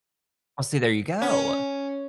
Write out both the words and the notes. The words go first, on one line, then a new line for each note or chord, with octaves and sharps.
Oh see, there you go.
C#4